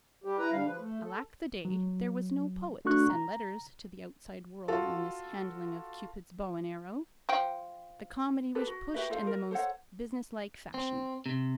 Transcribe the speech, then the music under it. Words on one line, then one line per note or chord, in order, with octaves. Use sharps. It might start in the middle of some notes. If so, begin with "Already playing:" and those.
Alack the day, there was no poet to send letters to the outside world on this handling of Cupid's bow and arrow! The comedy was pushed in the most business-like fashion.
G3 G4
E4 B4 A#5
D3 G3 F5
F3 B4
A3
A4
F#3
A3 D4 F#4 A4 C#6 F#6
A#5
F4 F#4 A4
F3 G5
G4 A4 B4
F#4
F#4 G4 B4 E5
F4 A4 C5 F5
A#4
A4 C5 C#5 F#5
C4
C3